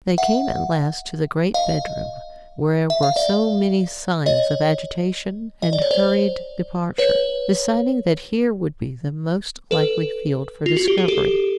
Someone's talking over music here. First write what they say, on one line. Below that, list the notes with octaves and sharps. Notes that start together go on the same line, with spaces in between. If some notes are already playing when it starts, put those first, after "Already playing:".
They came at last to the great bedroom where were so many signs of agitation and hurried departure, deciding that here would be the most likely field for discovery.
E5 F#5
D#5 F5
E5
F5
D5 E5
C#5 D#5
D#5
D5
C#5
C5 D5
B4 C#5
A4 B4
F4
F#4
G4
G#4
G4 A4